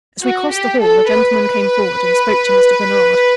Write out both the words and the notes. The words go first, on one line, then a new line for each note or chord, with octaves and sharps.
As we crossed the hall, a gentleman came forward, and spoke to Mr. Bernard.
F#4
G4
A4
B4